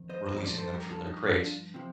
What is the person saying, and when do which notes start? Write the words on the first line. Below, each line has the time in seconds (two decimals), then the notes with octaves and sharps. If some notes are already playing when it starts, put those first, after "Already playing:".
releasing them from their crates,
Already playing: F2 D#3
0.09 C5 D#5
0.26 C5 D#5
0.41 G2 F3 A#4 D5
0.58 A4 C5
0.74 G4 A#4
0.91 F4 A4
1.07 D#4 G4
1.23 D4 F4
1.39 D4 F4
1.74 C3 F3